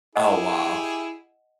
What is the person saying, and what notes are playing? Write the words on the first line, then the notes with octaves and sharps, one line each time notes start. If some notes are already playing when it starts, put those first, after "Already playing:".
Oh, wow.
E4 G4 G#4 D#5 F#5 G#5